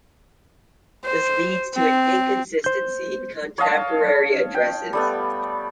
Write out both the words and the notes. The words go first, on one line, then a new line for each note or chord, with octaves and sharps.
This leads to an inconsistency in contemporary addresses.
C5
C4
C5 G6
C#5 D#5 F5 A5
G5
G3 A3 B3